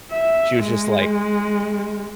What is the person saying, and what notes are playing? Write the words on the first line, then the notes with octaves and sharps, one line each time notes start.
She was just, like
E5
G#3